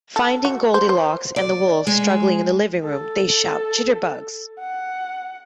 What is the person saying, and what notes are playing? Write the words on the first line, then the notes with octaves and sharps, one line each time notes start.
Finding Goldilocks and the wolf struggling in the living room, they shout Jitterbugs!
A4
F#4
C5
C5
D5
G#3
A4
F#5